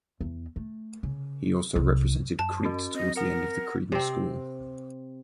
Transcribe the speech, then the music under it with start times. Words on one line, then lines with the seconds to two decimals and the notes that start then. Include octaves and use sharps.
He also represented Crete towards the end of the Cretan School.
0.21 E2
0.56 A3
1.03 C#3
1.76 C2
2.39 F#2 A5
2.65 C#4 F#4
2.95 C4 D#5
3.16 A#4 F#5 C#7
3.92 C3 C4